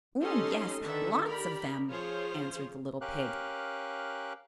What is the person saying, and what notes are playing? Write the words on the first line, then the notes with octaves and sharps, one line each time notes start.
"Oh, yes, lots of them," answered the little pig.
C#4 D#4 G4 A4 D#5 C6
D3 D#3 D4 A4 B4 E5
G4 A#4 D5 B5
F3 F4 G#4 C5 C#5
C#4 G4 A#4 F5 F#6